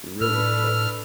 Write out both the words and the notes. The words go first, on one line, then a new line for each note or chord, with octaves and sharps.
really close.
A2 D4 A4 B4 E6 F6